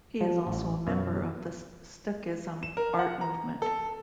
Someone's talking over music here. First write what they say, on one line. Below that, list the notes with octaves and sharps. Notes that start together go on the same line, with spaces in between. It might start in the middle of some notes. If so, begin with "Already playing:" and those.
He is also a member of the Stuckism art movement.
F3
A1
F#2 B2
E7
A#4
F#5
A#5
A4